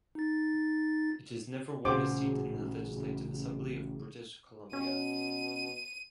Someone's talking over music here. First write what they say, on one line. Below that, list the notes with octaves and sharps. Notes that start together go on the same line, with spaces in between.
It has never won a seat in the Legislative Assembly of British Columbia.
D#4 A6
A1 A#2 C#3 C#4 F#4 G#4 C5 D6
B2 C#4 D#7